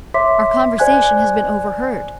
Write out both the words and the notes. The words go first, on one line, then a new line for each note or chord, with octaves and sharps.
"Our conversation has been overheard."
C#5 E5 C6 D6 B6
C5 D5 G#5 F#6 G#6